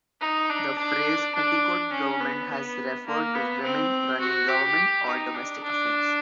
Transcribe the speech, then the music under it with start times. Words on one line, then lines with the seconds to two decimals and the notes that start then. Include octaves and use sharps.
The phrase "petticoat government" has referred to women running government or domestic affairs.
0.21 D#4
0.50 D4
0.78 D4
1.35 D4
1.92 C#4
2.20 B3
2.49 B3
3.06 A#3
3.35 B3
3.63 C4
4.20 F#4
4.49 G4
5.06 D#4
5.34 D4
5.63 D4